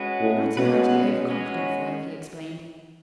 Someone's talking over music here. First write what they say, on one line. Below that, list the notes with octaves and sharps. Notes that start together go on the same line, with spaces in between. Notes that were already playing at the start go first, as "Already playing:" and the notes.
"You're not a man to be over-confident, Foyle," he explained.
Already playing: G#3 C#4 F#4 B4
A2
B2 G#3 C#4 F#4 B4
G#3 C#4 F#4 B4